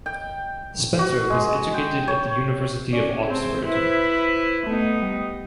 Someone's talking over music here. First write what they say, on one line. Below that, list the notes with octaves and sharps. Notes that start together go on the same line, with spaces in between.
Spencer was educated at the University of Oxford.
G5
F#4
G#3
G5
C#5
C#4 D5
C4 G#4
E4 B4 C5
A3 B3 D#4
G3